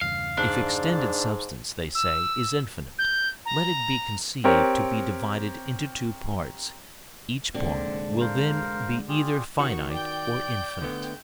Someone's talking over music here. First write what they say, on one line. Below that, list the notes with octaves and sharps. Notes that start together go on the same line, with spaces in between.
If extended substance, they say, is infinite, let it be conceived to be divided into two parts; each part will then be either finite or infinite.
E2 G2 C#3 F5
G#2 D4
E6
G6
A#5
C4 G4 A#4 C#5
F1 A#2 D3 G#3 C4
A#4 C5 F5
F4 G4 G#4
D#3 F#4 C#6
D5 G5 G6
D2 D3 B3